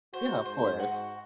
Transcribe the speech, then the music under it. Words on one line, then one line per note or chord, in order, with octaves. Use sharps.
Yeah, of course.
F#4 C5
G#2 C5
F#4